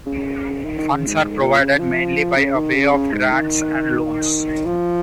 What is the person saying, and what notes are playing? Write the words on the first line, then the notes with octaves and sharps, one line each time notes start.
Funds are provided mainly by a way of Grants and Loans.
C#3
D#3
D#3
C#3
G#2
G#2
A#2
C#3
F3
C#3
D#3
C#3
C#3
G#2
D#3
F3